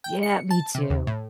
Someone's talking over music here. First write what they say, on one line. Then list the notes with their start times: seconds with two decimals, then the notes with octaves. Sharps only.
Yeah, me too.
0.04 G5
0.23 C#7
0.51 A5
0.75 C3
0.90 D#2
1.07 A2